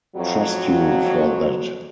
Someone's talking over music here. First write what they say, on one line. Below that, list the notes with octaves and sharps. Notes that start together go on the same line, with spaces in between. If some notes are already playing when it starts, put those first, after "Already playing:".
Trust you for that!
F2 F#3